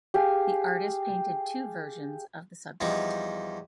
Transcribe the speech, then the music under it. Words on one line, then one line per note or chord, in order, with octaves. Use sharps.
The artist painted two versions of the subject.
G4 G#4 F5 G#5
E2 F3 G3 D#4